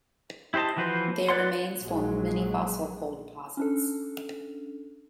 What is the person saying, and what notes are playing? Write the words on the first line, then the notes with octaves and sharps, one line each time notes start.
Their remains formed many fossil coal deposits.
E4 G4 C5 D#5 A5
E3 F3 F#4 B4 C5
B4 D5 F#5 C6
A#1 F#3 G#3
C#4 D4 A4